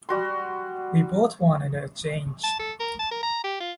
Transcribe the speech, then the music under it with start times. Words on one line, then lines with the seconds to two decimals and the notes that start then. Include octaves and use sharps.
We both wanted a change.
0.09 G3 F#4 C6
2.43 A5
2.59 A4
2.80 A#4
2.99 A5
3.11 A#4
3.23 A#5
3.44 G4
3.60 F4